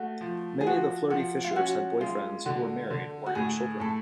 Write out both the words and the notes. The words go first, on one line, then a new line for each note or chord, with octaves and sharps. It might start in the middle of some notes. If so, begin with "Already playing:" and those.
Many of the flirty fishers had boyfriends, were married, or had children.
Already playing: A3 F#4
F3
G#4
F3 F#4
F3 F#4
F4
C#4 F#4
G#3 F4
D3 F#4
D3
F#4
A2 G#4
A2 A4